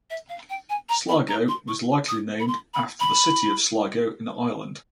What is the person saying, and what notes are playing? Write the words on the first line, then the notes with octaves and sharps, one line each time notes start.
Sligo was likely named after the city of Sligo in Ireland.
E5
F5
G5
G#5
A#5
B5
A#5
C6
C#6
D#6
B5
C6
B5
B5